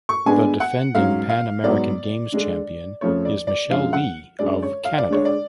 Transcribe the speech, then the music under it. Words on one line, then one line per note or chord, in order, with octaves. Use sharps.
The defending Pan American Games champion is Michelle Li of Canada.
C#6
D3 G#3 B3 D4 G#5
F#5
G#2 F#3 C#4 F5
F5
G#2 F#3 B3 D5
D3 G#3 D4
F2 C#3 F3 A3 C#5
D5
D5
F#2 D3 F3 G#3 F5
F#5
F#2 D3 G#3 D5
C#5
F5
D5
D3 G#3 D4 C#5
D5